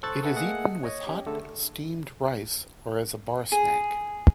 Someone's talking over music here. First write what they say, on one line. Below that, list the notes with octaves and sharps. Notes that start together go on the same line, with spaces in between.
It is eaten with hot, steamed rice or as a bar snack.
A4 C5 C#6 E6 F#6 A6
G#4 A4 B4 E5 F#5
A3 A#3 G#4 D#5 F#5
C#5 D#5
C#4 G4
D3 A3 G#4 A4
G#4